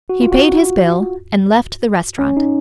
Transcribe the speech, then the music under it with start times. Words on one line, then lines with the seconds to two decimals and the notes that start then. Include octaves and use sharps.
He paid his bill and left the restaurant.
0.09 F#4
0.21 F4
0.32 F#4
2.19 C#4
2.37 D#4